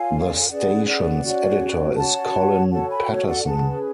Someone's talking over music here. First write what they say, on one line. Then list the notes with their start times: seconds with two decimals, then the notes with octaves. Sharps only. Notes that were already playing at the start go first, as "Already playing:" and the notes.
The station's editor is Colin Paterson.
Already playing: F4 A4 C#5 F5 G#5
0.22 D5
0.36 F5
0.49 C#4 G#4 B4 D5 F#5
0.86 D5 F#5
1.22 C#4 F#4 C#5
1.96 C#4 F#4 C#5 F#5 A5
2.71 F#4 A4 C#5 F#5 A5
2.89 G#5 B5
3.08 C#5 F5
3.26 D5 F#5
3.44 C#4 G#4 B4 F#5 A5